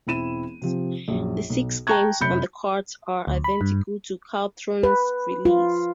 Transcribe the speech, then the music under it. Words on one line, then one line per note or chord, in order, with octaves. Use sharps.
The six games on the cart are identical to Caltron's release.
E1 C4 E4 D#7 E7
C3 F3 C4
A#1 F#2
B1
G5 A5 A#5 C#6 F#6 G#6
F1 F#2 B5 G6 C#7
D2
B5
G2
B4
F4